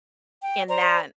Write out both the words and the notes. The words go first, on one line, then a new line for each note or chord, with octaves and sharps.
and that
G5
C5 D5 A#5